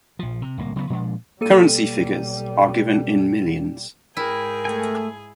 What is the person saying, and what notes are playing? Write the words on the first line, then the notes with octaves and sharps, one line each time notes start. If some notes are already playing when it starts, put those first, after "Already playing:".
Currency figures are given in millions.
A#1 F3
C3
D1 C2 A#3
C#3 F#3 G#3 B3
A#2 F3 G#3 D4
B1 G3 A#3 A4 D#7
G#2 E4 G#4 A#4 G5
A3 A4 G#5